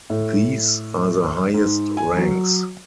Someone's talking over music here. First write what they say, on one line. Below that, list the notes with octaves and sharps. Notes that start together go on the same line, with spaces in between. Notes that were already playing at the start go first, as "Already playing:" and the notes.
These are the highest ranks.
A2
G#2
G#5
F#3